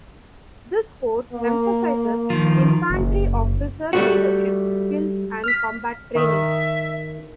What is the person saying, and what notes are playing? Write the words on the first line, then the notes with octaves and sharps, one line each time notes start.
This course emphasizes infantry officer leaderships skills and combat training.
A#3
D#3 F3
F#1
G3 A3 F#4
F6 B6
D#3 E5